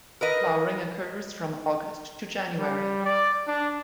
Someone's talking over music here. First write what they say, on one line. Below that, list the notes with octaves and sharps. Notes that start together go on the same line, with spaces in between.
Flowering occurs from August to January.
A#4 B4 D#5
G3
D5
D4